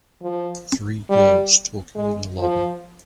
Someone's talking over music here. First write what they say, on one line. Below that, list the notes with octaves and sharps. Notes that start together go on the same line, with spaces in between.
Three girls talking in a lobby.
F3
G3
G#3
F3